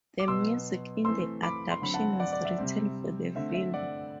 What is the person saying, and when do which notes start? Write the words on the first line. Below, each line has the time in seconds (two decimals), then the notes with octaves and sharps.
The music in the adaptation was written for the film.
0.19 D6
0.28 B2 F#3 B3 C6 E6
1.04 E3 A3 C4 C6 E6
1.43 B5 D6
1.71 C6
1.82 D3 F#3 C4 B5
1.94 F#5 A5
2.20 D5 F#5
2.33 D5
2.45 E5
2.58 C3 G3 C4
3.35 D3 A3 C4 E5
3.54 E5
3.74 D5 F#5